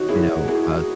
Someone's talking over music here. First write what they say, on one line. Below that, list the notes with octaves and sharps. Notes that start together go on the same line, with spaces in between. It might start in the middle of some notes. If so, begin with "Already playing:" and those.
you know, uh
Already playing: G#2 D#3 D#4 F#4 C#5
E4 G#4
E4 G#4